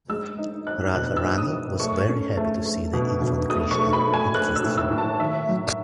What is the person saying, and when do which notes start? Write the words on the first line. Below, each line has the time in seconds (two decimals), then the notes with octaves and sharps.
Radha Rani was very happy to see the infant Krishna and kissed him.
0.10 G#3 E6
0.38 D#4
0.67 D#4 F#6
0.95 B2 F#6
1.17 E6
1.24 D#4
1.38 D#6
1.52 D#4
1.80 A3 C#6
2.09 C#4
2.37 A3
2.66 A3
2.93 B2
3.22 B2
3.50 A3 D#6
3.71 C#6
3.78 A3
3.93 B5
4.07 A3
4.14 G#5
4.35 A3 F#6
4.56 E6
4.64 A2
4.77 E6
4.91 A2
4.98 A5
5.20 D#3 E5
5.49 F#3